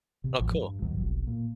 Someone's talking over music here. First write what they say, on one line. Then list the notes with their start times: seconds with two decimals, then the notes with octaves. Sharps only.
Oh, cool.
0.24 C3
0.39 A1 E2 F3 F#3
0.57 G2
0.82 D#2 G#2 D#3 F#3
0.97 F1 B1
1.27 A#2